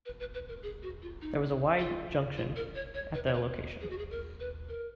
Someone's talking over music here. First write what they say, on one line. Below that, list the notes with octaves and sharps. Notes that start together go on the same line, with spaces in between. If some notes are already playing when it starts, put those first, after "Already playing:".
There was a wye junction at the location.
B4
B4
B4
A#4
G#4
F#4
F4
D#4
F4
F4
A#4
C#5
C#5
B4
C#5
B4
G#4
F#4
G#4
A#4
B4
A#4